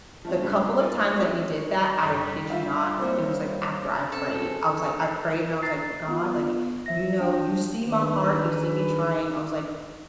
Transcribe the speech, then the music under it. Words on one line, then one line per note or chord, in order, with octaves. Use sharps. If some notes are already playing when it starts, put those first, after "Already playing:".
The couple of times that he did that, I kid you not, it was, like, after I prayed. I was like, I prayed and I was like, "God, like, you know, you see my heart, you see me trying" I was like
F3 A3 C4
G2 C#3 C4
D#4 F4 G#4 A#4 D5
A#1 B4 C#6
C4 C#4 D#4 E4
F#1 G3 A4 C#5
F4 E5 F5
A#3 C4 E4 A#4 C5 C#5
C4 C#4 A4
G#4
A#5 A6 C7
B3 F4
F3 E5 A#6
D4 G5
D#3 D4 G#4 B4